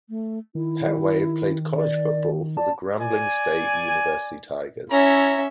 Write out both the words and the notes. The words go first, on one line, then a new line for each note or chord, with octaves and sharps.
Pettway played college football for the Grambling State University Tigers.
A3
D#3 E4
D5
D5 A5
D5 G#5
C#4 E4 C#5 E5 A#5